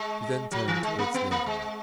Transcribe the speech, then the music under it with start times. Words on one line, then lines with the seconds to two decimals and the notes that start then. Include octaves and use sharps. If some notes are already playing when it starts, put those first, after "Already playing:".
She then turned towards the avenue.
Already playing: G#3
0.51 F#3
0.68 E3
0.83 G#3
0.98 A#3
1.14 B3
1.31 A#3
1.46 G#3